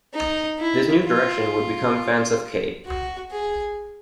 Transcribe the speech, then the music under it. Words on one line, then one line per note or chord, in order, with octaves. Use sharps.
This new direction would become Fans of Kate.
D#4
E4
F4
F#4
G#4